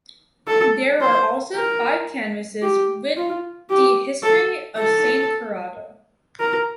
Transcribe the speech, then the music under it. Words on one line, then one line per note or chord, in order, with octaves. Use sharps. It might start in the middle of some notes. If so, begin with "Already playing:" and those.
There are also five canvases with the history of St Corrado.
A4
C5
A#4
G4
F4
G4
A4
A4
A#4